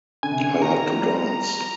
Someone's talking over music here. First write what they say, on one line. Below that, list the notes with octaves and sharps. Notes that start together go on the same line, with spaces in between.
I like to dance.
D3 G#5
C3
D3
D3
D#3 A#5
F3
G3